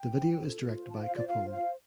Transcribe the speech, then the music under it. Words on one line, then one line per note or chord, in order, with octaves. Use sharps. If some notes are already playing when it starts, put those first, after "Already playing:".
The video is directed by Capone.
Already playing: G5
C5
F4
A4
F4
C5
A5
C5
F5
F4 D5
F4 F5
C5
F5
C5